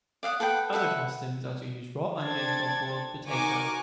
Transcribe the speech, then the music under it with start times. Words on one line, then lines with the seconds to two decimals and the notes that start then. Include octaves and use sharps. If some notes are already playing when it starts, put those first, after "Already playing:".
Other customs are to use raw onion, or boiled potato.
0.23 D5 F5 F#5 D#6
0.40 A4 B4 F#5 G5
0.73 A4 B4 E5 F#5
2.18 C4 D4 A4 G#6 A6
3.27 D#4 F#4 A#4 G#5 C#6 D6